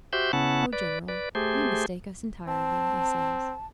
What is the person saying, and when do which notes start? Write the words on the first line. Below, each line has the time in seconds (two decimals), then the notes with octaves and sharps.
"Oh, General, you mistake us entirely!" they says.
0.13 F#4 G4 C5 E5 G6
0.33 C#3 B3 C#4 E4 F#5 A5
0.73 B4 D5
1.08 B4 D5
1.35 A3 G4 G#4 C5
2.48 C4 A5